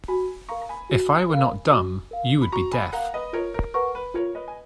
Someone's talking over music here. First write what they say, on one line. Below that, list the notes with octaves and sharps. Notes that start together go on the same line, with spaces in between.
If I were not dumb, you would be deaf.
F#4 G#5 B5
A#4 F5 A#5 C#6
A#5
G#5 B5
F#4
A#4 F5
F#4
A#4 F5
B5
F#4 A#5 C#6
G#5 B5
A#4 F5 F#5 A#5
B4 D#5
F4 A#4 C#5
A#4
A#4 B4 F#5 C#6
B4
F4 A#4 C#5
B4 D#5
G#5